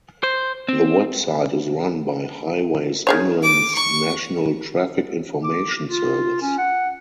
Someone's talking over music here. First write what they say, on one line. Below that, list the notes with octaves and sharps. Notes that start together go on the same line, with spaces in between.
The website is run by Highways England's National Traffic Information Service.
C5
C4
D#3 G#4 C#5
D6
C#6
D6
F4
C#4
F#5